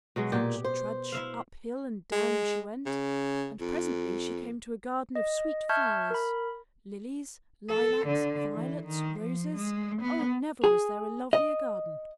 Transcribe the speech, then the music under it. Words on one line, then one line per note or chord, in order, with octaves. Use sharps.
Trudge, trudge, up hill and down she went, and presently she came to a garden of sweet flowers; lilies, lilacs, violets, roses--oh, never was there a lovelier garden!
B2 F#3 G#3
A#2 G4
C5
E4 E5 F5
G#3
C#3
F2
D#5
E5 A5 C#6 F6 G6 G#6
A#4 B5
A4
D3
E3
D#3
F3
G#3
B3
G#4
D#5